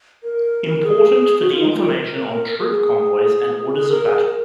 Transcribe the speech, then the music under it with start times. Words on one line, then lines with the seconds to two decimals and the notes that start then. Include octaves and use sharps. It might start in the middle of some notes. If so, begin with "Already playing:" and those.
Important for the information on troop convoys and orders of battle.
0.24 A#4
0.83 G#4
1.41 F#4
1.51 F4
1.61 D#4
1.71 F4
1.85 A#4
2.59 G#4
3.76 G#4
3.91 A#4
4.06 G#4
4.25 A#4